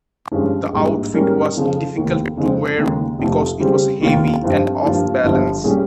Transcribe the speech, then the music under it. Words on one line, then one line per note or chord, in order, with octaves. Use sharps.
The outfit was difficult to wear because it was heavy and off-balance.
G2 F3 G#3 C#4 G#4
A#1 G#2 G3
G#2 G3 C#4 G4 A#4
F2 C#3 F3
F1 D#2 D#3
F2 C#3 F3 G#3 C4
D#2 C#3 G#3 D#4
F1 F2 C3 F3
C#3 G3 C4 G4
F1 D#2 D#3 A#3 F4
G2 F3 C4 F4
G2 F3 A#3 F4
G1 G2 F3
A#2 G3 C#4 G#4